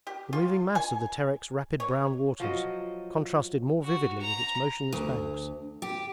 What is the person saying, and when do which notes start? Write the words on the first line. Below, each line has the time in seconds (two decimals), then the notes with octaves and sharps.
The moving mass of the Terek's rapid brown waters contrasted more vividly with its motionless banks.
0.07 G4
0.33 F4
0.75 G#5
1.80 C#5
2.40 F3 F#3 D#5
3.84 F#4
4.21 A#5
4.93 D2
5.82 G4